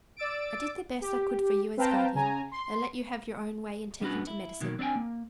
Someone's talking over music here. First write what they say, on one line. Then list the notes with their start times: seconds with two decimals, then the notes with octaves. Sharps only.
I did the best I could for you as guardian, and let you have your own way in taking to medicine.
0.17 D5 E6 A6 D7
1.01 G4
1.77 C4 B4 F5 G5 A5 A#5
2.15 C#3 G#5 A#5
2.52 C6
4.01 G3 B3 C#4 D4 F#4 B4
4.27 E4
4.60 B2 D#3 F#3 A#3
4.79 C4 D4 F4 G5 G#5
4.96 A#3